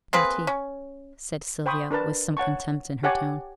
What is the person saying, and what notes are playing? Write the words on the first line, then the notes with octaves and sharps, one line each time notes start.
'Not he,' said Sylvia, with some contempt in her tone.
A#3 C4 G#4 B4
C#4
C5 G5 B5 C#6 D#6
D4 A#4 B4 A5
C#5 F#5 A5 C#6
G4 C#5 F#5 G#5 A5 D6